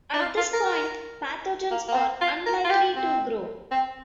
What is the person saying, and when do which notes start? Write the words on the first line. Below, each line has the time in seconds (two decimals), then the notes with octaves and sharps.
At this point pathogens are unlikely to grow.
0.14 D4
0.21 F4
0.37 F4
0.53 A#4
1.71 A#3
1.88 A#3
1.95 C4
2.21 F4
2.46 A#4
2.64 F4
2.70 G4
2.96 C4
3.71 C4